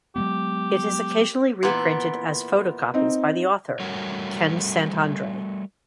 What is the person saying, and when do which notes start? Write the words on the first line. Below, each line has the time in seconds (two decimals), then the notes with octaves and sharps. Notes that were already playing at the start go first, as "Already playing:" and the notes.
It is occasionally reprinted as photocopies by the author, Ken Saint Andre.
0.16 F#3 G#3 B3 G4
1.63 A#2 E3 B3
2.94 C4 D#4
3.80 G3 A3 F#4 A#4 C#5